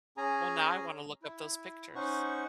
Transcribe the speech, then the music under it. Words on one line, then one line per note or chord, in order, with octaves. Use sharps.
Well, now I wanna look up those pictures.
C#4 G#4 G#5 A#5
E4
C#4 D#4 C5 F#5 C#6